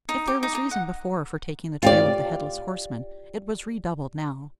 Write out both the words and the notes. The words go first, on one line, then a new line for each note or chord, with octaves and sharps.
If there was reason before for taking the trail of the Headless Horseman, it was redoubled now.
D#4
G4
D#4
D#4
F#5
F4 G4 D5